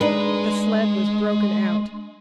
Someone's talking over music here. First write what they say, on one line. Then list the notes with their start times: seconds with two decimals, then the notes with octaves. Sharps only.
The sled was broken out.
0.01 G#3 D4 D#4 B4